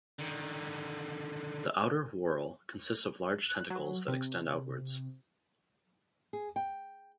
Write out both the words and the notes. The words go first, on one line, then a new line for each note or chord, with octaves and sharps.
The outer whorl consists of large tentacles that extend outwards.
D3 D#3
F#6
F#3
C3
G#4
G5